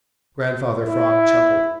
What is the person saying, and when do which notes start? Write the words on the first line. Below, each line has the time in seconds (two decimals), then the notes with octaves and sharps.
Grandfather Frog chuckled.
0.85 E4